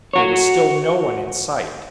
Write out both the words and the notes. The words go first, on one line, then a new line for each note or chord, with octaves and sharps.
There was still no one in sight.
F#4 C#5